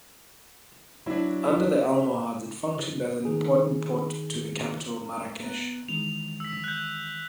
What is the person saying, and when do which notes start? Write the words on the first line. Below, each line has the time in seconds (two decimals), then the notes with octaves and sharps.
Under the Almohads it functioned as an important port to the capital Marrakesh.
1.06 F#3 D4 E4
3.25 D#3 G#4
5.42 B3 A#5
5.88 D#3 E3 G#3 F7
6.40 E6 B6
6.64 F#6 G6